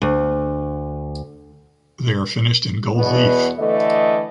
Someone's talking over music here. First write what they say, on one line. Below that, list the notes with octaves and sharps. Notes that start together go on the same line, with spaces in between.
They are finished in gold leaf.
D2
E2 B2 B3
D3 E3 A3 D#5